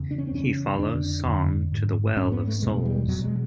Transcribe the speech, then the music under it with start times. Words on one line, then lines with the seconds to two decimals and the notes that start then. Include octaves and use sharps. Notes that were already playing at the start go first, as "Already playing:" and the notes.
He follows Song to the Well of Souls.
Already playing: E2 C#3
0.11 D4
0.18 C#4
0.27 C4
0.34 E2 C#3 C#4
0.79 F2 D3 D4
1.25 F2 D3
1.72 G#2
2.17 G#2 C#4
2.32 B3
2.47 A3
2.62 E2 B2 G#3
2.85 G3
3.08 E2 B2 F#3
3.24 G#3